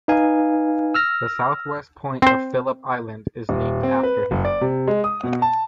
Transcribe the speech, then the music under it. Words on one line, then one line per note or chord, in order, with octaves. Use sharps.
The south-west point of Phillip Island is named after him.
D#4 B4 F5 G#5
E6 F6 A#6
C4 C5
D#1
C4
B4
F#1
D5
C3
G#3
D#6
B2
A5